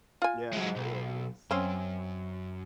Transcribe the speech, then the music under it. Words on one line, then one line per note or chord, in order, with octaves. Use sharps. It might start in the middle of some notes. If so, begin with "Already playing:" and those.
Yeah, yeah, it is.
F4 G#5
F#3 G#3
B1
F#2 C4 C#4 F5